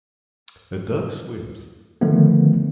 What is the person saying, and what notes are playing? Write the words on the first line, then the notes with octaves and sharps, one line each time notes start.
A dog swims.
D3 D#3 F3 A3 B3